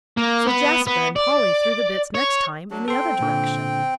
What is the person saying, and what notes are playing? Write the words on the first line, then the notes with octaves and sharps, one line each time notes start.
So Jasper and Polly threw the bits next time in the other direction.
A#3
B3
B3
D5
C#5
F#3 D4
C4 A4 G5 C6
A#2 D3